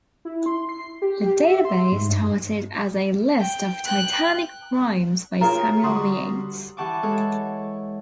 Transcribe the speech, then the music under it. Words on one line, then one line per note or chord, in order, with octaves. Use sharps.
The database started as a list of titanic primes by Samuel Yates.
E4
C6
C7
G4
G4
E5
C6
G#2
G2
G5
G5 F#6
F4 F#4 G#4 A#4 C#5 G5 A#5
D3 G3 F#4 C6 D#6
E3 G4 F#5 A5 C#6 D6
G#3 A4 C#5 F#5